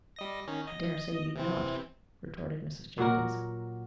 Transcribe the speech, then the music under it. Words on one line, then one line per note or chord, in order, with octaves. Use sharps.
"I dare say you'd not," retorted Mrs. Jenkins.
G3 D#5 A#6
D#3 C#4 D#4
D#5
C3 E3 C4
A#2 F#3 F#4 A#4